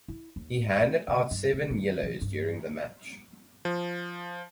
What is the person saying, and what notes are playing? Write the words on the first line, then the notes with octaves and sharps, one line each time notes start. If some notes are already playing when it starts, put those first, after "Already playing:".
He handed out seven yellows during the match.
E4
D#2
A3
C#3
G2
F1
D#3
E3
G2
F3